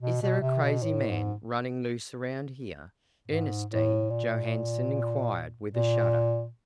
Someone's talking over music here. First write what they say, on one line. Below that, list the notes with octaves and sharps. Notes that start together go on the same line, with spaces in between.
"Is there a crazy man running loose around here?" Ernestine Johanson inquired with a shudder.
B2
B2
C3
B2
A2
G#2
G#2
A2
A#2
A#2